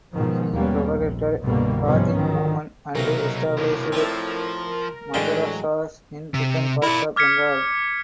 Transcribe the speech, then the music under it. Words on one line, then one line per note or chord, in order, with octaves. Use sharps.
He propagated Hadith movement and established Madrasahs in different parts of Bengal.
G#2 B2 D#3 F3
D#2 G3 A#3 B3 C#4
A#1
C2 G2 B2 D3 G3 A#3
G#2 C3 F3 G3 B3 C#4
D#3 F3 F#3
B1 C3 F#3 A#3 D#4 A#4
E2 A2 D3
F3 C4 D5 E5
A1 D3 F#3 G#3 G5
C3
E4 A#4 D5
D6 F6 G#6 B6 C#7